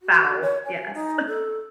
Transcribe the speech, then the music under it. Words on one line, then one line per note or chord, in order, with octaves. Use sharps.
Foul, yes.
F#4
C#5
G#5
D#4
A4